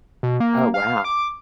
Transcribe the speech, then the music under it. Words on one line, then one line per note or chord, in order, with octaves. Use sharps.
Oh, wow.
B2
A#3
F5
D6